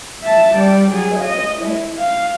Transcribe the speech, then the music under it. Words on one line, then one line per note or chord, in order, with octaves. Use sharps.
so, yeah, you could
E5 A5
G3 D5
F#3 G#4
D#5
E4
F5